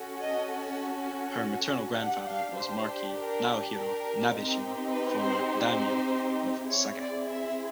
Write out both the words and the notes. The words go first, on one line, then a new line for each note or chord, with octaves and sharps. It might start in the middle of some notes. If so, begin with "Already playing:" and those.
Her maternal grandfather was Marquis Naohiro Nabeshima, former "daimyo" of Saga.
Already playing: C#4 F#4 A4
D#5
D4 G4 F#5
F5
C5
A#4
A#4
C4 D#4 G4
B4
C5
C5
C4 E4 G#4 C#5
D5
E5